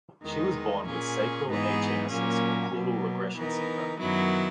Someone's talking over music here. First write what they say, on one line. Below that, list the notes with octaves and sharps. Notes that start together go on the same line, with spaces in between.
She was born with sacral agenesis or caudal regression syndrome.
E2 D#3 G#3 D#4
A#2 A#3 C#4 G#4
G#2 E3 B3 D#4 G#4
A#2 F#3 A#3 C#4
B2 F#3 A#3
E3 B3 D#4 A#4
F#2 D#3 F#3 B3 E4